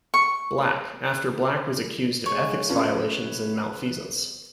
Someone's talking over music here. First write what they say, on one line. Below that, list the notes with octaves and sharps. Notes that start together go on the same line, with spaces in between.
Black, after Black was accused of ethics violations and malfeasance.
C#6
G#2 C#5
C#4 F4 B4